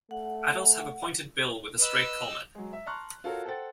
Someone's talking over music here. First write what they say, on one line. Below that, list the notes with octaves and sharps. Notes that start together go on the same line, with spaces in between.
Adults have a pointed bill with a straight culmen.
A3 F#5
B4 D#5 E6
F#3 G#3
E5
A5 A#5 C6 C#6 F6 F#6
F4 F#4 A4 A#4 C#5 A5
A4 C5 F#5 G5 A6